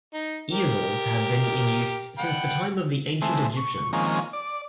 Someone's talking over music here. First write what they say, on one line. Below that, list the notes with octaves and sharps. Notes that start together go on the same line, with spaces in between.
Easels have been in use since the time of the ancient Egyptians.
D#4
G4 A#4
F#5 G5 B5
E3 G#3 A3 C4
C#6
D#3 F3 G#3 A#3 C4 C#4
D5